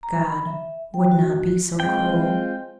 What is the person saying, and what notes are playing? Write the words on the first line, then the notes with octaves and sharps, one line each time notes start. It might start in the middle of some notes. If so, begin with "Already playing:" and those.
God would not be so cruel.
A#5
B5
E5
G5
F#4
G#3 C4 F4 G5